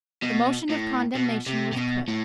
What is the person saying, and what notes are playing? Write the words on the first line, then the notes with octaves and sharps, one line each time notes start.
The motion of condemnation was put.
B2
A2
B2
C3
C3
B2
A2